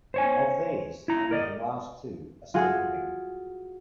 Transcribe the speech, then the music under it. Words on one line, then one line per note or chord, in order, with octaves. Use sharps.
Of these, only the last two are still living.
C5 C#5 G#5
E4 A#5
A#4 D5 D#5
F4 F#4 G#4